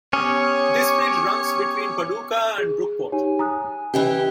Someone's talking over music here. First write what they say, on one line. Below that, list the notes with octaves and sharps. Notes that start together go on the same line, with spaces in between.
This bridge runs between Paducah and Brookport.
B3 C#4 G4 C#5 D#6
G#4
D#4 G4 C#5 G#5
A#5 D#6 F#6
E3 C#4 E4 G4